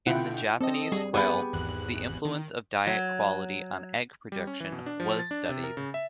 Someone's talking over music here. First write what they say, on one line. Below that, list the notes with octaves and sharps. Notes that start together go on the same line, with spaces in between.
In the Japanese quail, the influence of diet quality on egg production was studied.
B2 D3 E4 F4 F#5 G5
C4 A4 D#5
G3 G#4
F#2 B3 G4 G#4 B4 F#5
G#1 E2 F#6
D#3
F#3
G3
C#4
E3
B2
D4
F3
A6
D4
C3
A#4
C#3
E5